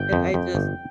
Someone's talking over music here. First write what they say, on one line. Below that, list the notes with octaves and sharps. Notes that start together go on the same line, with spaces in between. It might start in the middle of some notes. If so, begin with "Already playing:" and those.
and I just
Already playing: G1 G5
F2
F2
G1